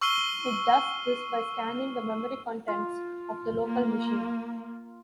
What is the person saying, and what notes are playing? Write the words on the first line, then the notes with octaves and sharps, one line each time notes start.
It does this by scanning the memory contents of the local machine.
C#6 E6 F6 C7 D#7 G7
F4
A#3